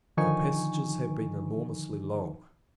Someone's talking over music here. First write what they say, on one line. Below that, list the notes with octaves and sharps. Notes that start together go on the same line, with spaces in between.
Our passages have been enormously long.
D3 D#3 F3 D#4 G#5 C#6